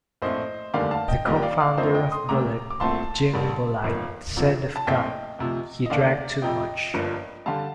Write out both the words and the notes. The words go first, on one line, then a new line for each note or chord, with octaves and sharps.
The co-founder of Bullet, Jim Bulleit, said of Gant:He drank too much...
A#1 A2 A3 C4 C5 D#5
F1 D#2 D3 G3 A#3 D5 F5
F5 A5
D#5 G5
A#1 A#2 G3 A#3 D#5 G5
G5
D5 F5
D5 F5
F2 D#3 A3 C4 C5 D#5
D#5 G5
C6 D#6
D2 C3 G3 A#3 A#5 D6
D6
C2 A#2 A3 C4 A5 C6
A1 A2 G3 A#3
G1 F2 D#3 A#3
C2 C3 F3
A5
A#1 A2 A3 C4 D#5 G5
D2 C3 F3
D#5
D#2 D3 A3 D5 F5
F2 C3 F3 D#5 G5
G1 G2 F3 A#3
D3 G3 F5 A5